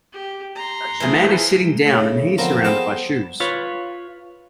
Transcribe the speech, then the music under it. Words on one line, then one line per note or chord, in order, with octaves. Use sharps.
A man is sitting down and he is surrounded by shoes.
G4
A#5 C6
E3 F3 G#4
A2 C#3
D3 F3 B3 C4 A4 A#4
B3 G#4 A4 C5 G5 A5
F4 B4 C#5